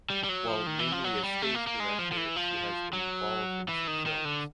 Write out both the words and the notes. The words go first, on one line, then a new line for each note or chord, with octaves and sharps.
While mainly a stage director, she has been involved in some films.
G3
G3
F#3
F3
D#3
E3
F3
F#3
G3
A3
A#3
A#3
G#3
F3
F3
E3
F3
F#3
E3
D#3
D#3
D3